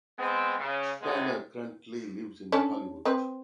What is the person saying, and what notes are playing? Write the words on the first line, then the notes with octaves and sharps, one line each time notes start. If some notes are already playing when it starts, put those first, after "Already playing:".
Tyler currently lives in Hollywood.
G#3 B3 C4
C#3
G#2 C3 G#3 B3
C#4 D4 A4
C4 B4